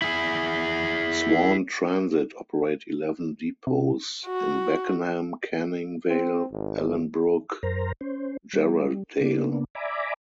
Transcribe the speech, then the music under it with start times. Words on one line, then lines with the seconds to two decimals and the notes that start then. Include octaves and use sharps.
Swan Transit operate eleven depots in Beckenham, Canning Vale, Ellenbrook, Jarrahdale.
0.02 E4 G#4
3.67 C3
4.26 F#4
6.08 C4
6.52 G#1
7.63 F#2 A#4 C5 A#5
8.01 C#4 C5
8.53 G3
9.21 C#3 A#3 B3 D4
9.75 D5 E5 G#5 A#5 B5 D6